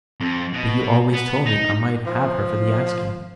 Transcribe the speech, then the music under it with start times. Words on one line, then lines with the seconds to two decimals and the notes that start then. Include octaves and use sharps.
"But you always told me I might have her for the asking."
0.20 F2
0.54 B2
1.13 B3
1.46 D#4
2.06 F3